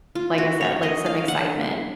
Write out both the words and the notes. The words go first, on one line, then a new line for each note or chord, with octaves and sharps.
like I said, like, some excitement
F4
F#4
C#5
D#5
F5
F#5